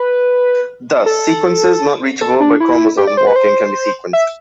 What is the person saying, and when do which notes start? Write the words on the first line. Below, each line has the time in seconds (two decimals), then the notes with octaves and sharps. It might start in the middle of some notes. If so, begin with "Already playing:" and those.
Thus, sequences not reachable by chromosome walking can be sequenced.
Already playing: B4
1.06 A4
2.21 A4
2.40 D4
2.60 E4
2.97 G4
3.07 D5
3.17 C5
3.27 B4
3.36 C5
4.13 E5